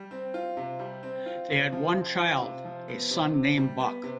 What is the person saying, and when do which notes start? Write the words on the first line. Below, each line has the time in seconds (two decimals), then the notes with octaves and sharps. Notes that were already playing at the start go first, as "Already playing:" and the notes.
They had one child, a son named Buck.
Already playing: G3
0.11 C4
0.34 F4
0.57 C3
0.79 G3
1.03 C4
1.26 F4
1.50 C3
1.72 F3
1.95 C4
2.19 F4
2.42 C3
2.65 F3
2.88 B3
3.11 C3
3.34 C3
3.58 G3
3.80 B3
4.03 C3